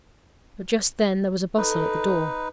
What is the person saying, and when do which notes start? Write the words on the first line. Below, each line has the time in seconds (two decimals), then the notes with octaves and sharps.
But just then there was a bustle at the door.
1.57 D#4 A4 B4